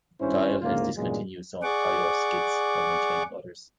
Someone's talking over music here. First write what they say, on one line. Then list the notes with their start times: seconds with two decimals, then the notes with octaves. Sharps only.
Thile has discontinued some of Keillor's skits, while maintaining others.
0.20 G#1 G2 C#4 E4 C5
0.61 D2 G#2 C#3 A#3 F4
0.97 E2 G2 A#2 C#3 F#3 G#3
1.63 G#4 D5 F#5 C#6 D6